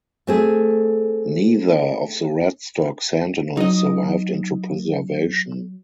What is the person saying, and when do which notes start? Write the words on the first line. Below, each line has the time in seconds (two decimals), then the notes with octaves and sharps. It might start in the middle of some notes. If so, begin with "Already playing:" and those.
Neither of the Radstock Sentinels survived into preservation.
0.27 A3 C4 G#4
3.57 F#3 D#4 D#5